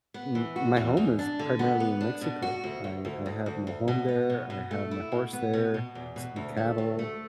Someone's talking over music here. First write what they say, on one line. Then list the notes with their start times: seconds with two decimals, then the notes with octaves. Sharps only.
m my home is primarily in Mexico. I I have my home there, I have my horse there, some cattle,
0.14 B3
0.35 E3
0.56 F#4
0.77 E2
0.97 E2
1.19 D4
1.39 D3
1.59 B3
1.80 B3
2.01 D4
2.21 B2
2.42 F#4
2.64 D2
2.84 D2
3.05 D2
3.26 D2
3.46 D2
3.67 D2
3.88 B2
4.08 B3
4.30 B2
4.50 B2
4.71 A3
4.91 E4
5.12 B2
5.33 B3
5.54 B2
5.74 B2
5.95 E2
6.16 B2
6.36 D2
6.57 A3
6.78 D2
6.99 A3